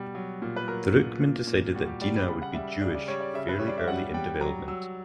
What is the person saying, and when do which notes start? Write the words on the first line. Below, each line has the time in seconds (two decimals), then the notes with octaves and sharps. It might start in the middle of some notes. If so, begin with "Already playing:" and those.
Druckmann decided that Dina would be Jewish fairly early in development.
Already playing: B2 G3
0.15 F#3
0.42 A#2
0.56 B4
0.68 F#3 A#4
0.95 A#2
1.22 A#2
1.47 A#2
1.74 G3 F#4
1.88 G4
2.01 G3 D5
2.15 B5
2.28 C#3 B5
2.42 F#5
2.54 G3 E5
2.68 E5
2.81 C#3 D5
2.95 D5
3.08 G3 C#5
3.21 D5
3.34 C#3 E5
3.49 B4
3.59 G3 C#5
3.68 D5
3.78 E5
3.88 G3 F#5
4.14 G3 G5
4.41 F#3 A#5
4.68 F#3 E6